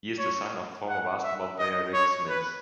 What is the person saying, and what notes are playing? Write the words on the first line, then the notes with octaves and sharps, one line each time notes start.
He is the son of former basketball player Rik Smits.
C#5
F#5
E5
D#5
C#5
B4